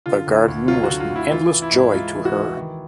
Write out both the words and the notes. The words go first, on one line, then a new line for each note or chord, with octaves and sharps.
The garden was an endless joy to her.
D3 F4
D2
D2
F#3 F4
F#4
D3
F4
D2
E4
E3 F4
E3
E4
G#2
G#2 F4
E3
F#4
E3
D#3